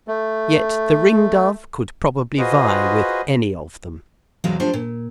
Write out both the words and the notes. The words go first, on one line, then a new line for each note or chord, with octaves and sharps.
Yet the ringdove could probably vie with any of them.
A3
F4 F#4 G#4 B4 C5 D#5
E2 A2 C3 F#3 G#3 F5
F3 A3 D4 G4 C5
A#2